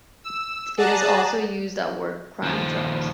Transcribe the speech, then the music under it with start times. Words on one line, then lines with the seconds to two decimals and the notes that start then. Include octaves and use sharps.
It is also used at war crime trials.
0.24 E6
0.77 G#4 D5 F#5 A5 A#5 D#6
2.43 D#2 F3